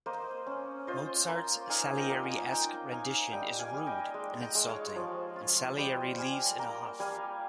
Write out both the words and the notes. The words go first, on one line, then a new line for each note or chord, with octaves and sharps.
Mozart's Salieriesque rendition is rude and insulting, and Salieri leaves in a huff.
A#3 C5 D#5
C#4
F4 C5 D#5
A#3
D#4 F5 G#5
D#5 G5
A#3
F5 G#5
D#4 G5 A#5
D#4 F5 G#5
G3 D#5 G5
F5 G#5
G3
D#5 G5
G#3
D#5 G5
G#3
C#5 F5
F3
F4
G3 D#5 G5
G3 F5 G#5
A#3 G5 A#5
G3 F5 G#5